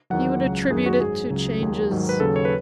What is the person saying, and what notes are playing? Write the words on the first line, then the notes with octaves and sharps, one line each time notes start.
"He would attribute it to changes . . ."
E2 D#3 F#3 F#5
C#2 C#3 F#3
F#2 D#3 F#3 G#4
F#4
G#2 F#3 G#4
C#2 C#3 F#3
D#2 D#3 F#3
G#2 D#3 F#3
B4
D#2 C#3 F#3 A4
C#5
B4